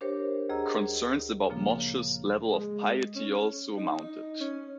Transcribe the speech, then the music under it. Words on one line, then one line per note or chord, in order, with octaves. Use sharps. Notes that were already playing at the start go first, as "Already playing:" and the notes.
Concerns about Moshe's level of piety also mounted.
D4 G4 A#4 C5 C#5
D2 G#4 D#5 A#5 E6
A#2 C#3 F3 A#3
G#3
C#4
D#4
C#4